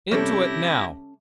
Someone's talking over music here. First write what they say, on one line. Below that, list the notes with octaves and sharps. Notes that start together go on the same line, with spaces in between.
Into it, now!
C3 G3 C#4 E4 G4 A4 A#6